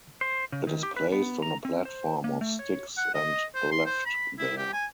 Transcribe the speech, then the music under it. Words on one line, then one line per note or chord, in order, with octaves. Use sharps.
It is placed on a platform of sticks and left there.
C5
C#3
D#3
G4
B4
B3
A#5
C4
C5
A#3
A3
C#5
F#5
D#5
C5
C6
C5
B5
E4
G4
G#5